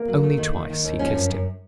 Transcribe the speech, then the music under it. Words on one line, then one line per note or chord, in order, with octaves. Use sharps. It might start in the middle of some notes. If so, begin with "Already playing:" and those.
Only twice he kissed him.
Already playing: A#3
F#3
A3
D#3
D#3
D#3
D#2
F3 C#4
F#2
F#2